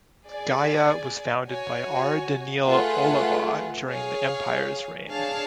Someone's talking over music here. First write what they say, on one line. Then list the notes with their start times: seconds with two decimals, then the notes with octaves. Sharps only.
Gaia was founded by R. Daneel Olivaw during the Empire's reign.
0.29 G#4 D5 G#5
1.49 F#4 C#5 G#5
2.69 A3 F4 G#4 B4 F#5
3.89 G#4 C#5 F5
5.09 D4 G#4 C#5 F5 A5